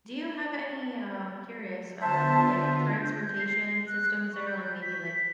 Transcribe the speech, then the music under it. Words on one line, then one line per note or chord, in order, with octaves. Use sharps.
Do you have any, um- curious- uh, like, transportation systems there? Like, maybe, like,
D3 B3 F4 C5 E5 A5
G6
C7
F#6
C#6
G6
B6